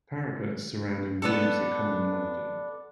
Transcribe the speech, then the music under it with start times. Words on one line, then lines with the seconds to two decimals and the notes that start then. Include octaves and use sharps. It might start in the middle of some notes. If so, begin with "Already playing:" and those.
Parapets surrounding roofs are common in London.
1.22 B3 D4 A4